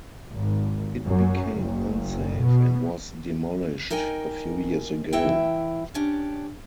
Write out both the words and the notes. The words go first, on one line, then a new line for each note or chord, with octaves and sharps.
It became unsafe and was demolished a few years ago.
G#1
F#2
F#1
B2
D#4 A#4 D#5 G5 G#5
E3 E4 G5
C#4 D4 G4